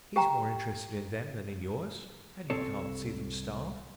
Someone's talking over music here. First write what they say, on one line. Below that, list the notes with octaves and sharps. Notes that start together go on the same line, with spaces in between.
He's more interested in them than in yours, and he can't see them starve.
G4 G5 A#5
C2 C4 A4 C#5